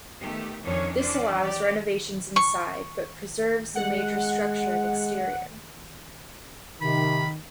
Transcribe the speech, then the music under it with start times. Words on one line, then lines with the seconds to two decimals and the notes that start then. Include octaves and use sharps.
This allows renovations inside, but preserves the major structure and exterior.
0.20 D#3 A3 B3 G4
0.63 F2 D#3 F3 C#4 D4 C#5
0.97 E3 C#4 D4 C5 D5
1.40 G4 D5
2.36 C#6
3.75 G#3 F#5
6.81 C3 D#3 B5